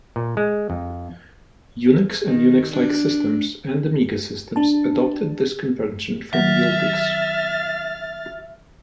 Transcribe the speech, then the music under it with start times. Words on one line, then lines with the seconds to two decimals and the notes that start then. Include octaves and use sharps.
Unix and Unix-like systems, and Amiga systems, adopted this convention from Multics.
0.16 A#2
0.37 G#3
0.70 F2
2.24 D#3
2.69 D4
4.56 D4 A5
6.33 D#3 F#3 E5 F6 A6